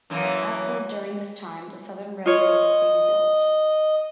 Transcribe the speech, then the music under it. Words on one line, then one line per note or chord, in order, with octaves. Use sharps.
Also during this time, the Southern Railroad was being built.
F#2 E3 A#3
F4 C#5 D#5